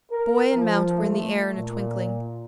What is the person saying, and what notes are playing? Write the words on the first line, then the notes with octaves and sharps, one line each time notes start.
Boy and mount were in the air in a twinkling.
A#4
F3
A3
A#2